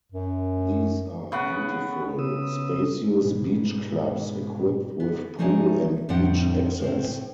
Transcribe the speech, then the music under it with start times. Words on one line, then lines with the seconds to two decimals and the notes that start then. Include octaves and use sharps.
These are beautiful, spacious beach clubs equipped with pool and beach access.
0.12 F#2
1.32 C#3 B3 F#5
2.19 C#3 B3 D#6 E6
3.22 G#2 B2
5.00 B3
5.39 F3 A3 D#4 F#4 G#4 D5
6.09 F2 A2 D3 C4 F#5
6.81 A2 C4